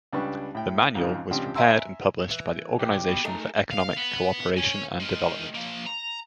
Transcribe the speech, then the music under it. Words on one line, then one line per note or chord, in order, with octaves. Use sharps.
The Manual was prepared and published by the Organisation for Economic Co-operation and Development.
C#2 G3 D4 B4 C#6
A2 G5
F2 G#2 C#3 F3
C#2 F3 C4 D4 G4 G5
D#5 E5 G#5 A#5 C6 E6
E3
B1 G4
B2
A3 D#4 G#4 A#4
F5
B3
C#5 G#5
G#3 A#4
F3 A#3
A#5